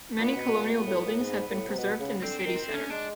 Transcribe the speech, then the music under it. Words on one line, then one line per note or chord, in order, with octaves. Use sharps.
Many colonial buildings have been preserved in the city centre.
A#2 B3
B2
B2
A#2
B2
A#2
A2
A#2
A2
G#2
A#2
A2
C3
B2
C#3
D3 C4
C4
D#3
C4
A3
C#4
G#3 D4